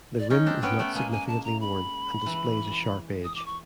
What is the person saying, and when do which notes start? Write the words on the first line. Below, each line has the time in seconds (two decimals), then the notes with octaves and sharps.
The rim is not significantly worn, and displays a sharp edge.
0.19 D5
0.30 C#4 D#4 D#5
0.46 C4 D4
0.62 B3 C#4 G5
0.79 A3 B3
0.95 G#3 A#3 G#5
1.11 G#5
1.28 A5
1.44 A#5
1.61 B5
2.26 E3
3.24 D#6
3.36 D6
3.46 C#6